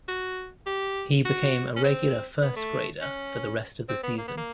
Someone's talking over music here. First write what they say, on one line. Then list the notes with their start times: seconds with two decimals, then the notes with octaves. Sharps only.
He became a regular first-grader for the rest of the season.
0.08 F#4
0.66 G4
1.25 F#4
1.76 C#4
1.84 C4
2.42 B3
2.56 A3
3.01 C#4
3.89 C4
4.03 B3
4.18 A#3
4.28 B3
4.37 A#3